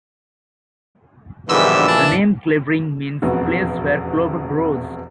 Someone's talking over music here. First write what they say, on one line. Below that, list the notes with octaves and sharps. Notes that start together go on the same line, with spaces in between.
The name 'Clavering' means 'place where clover grows'.
A#1 G#2 B2 D3 E3 G3 B3 E6
D4
E1 A1 F2 B3 F#4